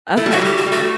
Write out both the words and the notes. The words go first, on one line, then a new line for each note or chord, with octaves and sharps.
Okay, okay.
A3 E4
G3
F#3 F#4
G3 G4
F#4
G3
A3 F#4